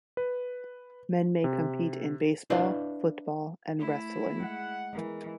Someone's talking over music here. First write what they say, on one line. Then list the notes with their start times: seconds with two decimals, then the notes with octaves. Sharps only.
Men may compete in baseball, football, and wrestling.
0.17 B4
1.44 C3
2.50 D4 E4 B4 D5 D#5 F5
3.78 A3 E4
4.41 G#3 F#5
4.93 E3 G#3 B3 A#4